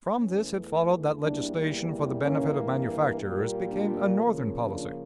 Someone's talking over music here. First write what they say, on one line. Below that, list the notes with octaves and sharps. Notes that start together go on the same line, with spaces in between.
From this it followed that legislation for the benefit of manufacturers became a Northern policy.
E2 E3 A3 C#4
E2 E3 G3 A#3 D4
G2 E3 A#3 C#4
A#2 G3 A#3
D4 F4
C#3 F3 A#3
D4 F4